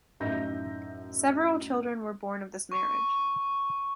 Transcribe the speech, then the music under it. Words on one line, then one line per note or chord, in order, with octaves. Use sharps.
Several children were born of this marriage.
F#2 A2 D#4 E5 G6 A#6
C#6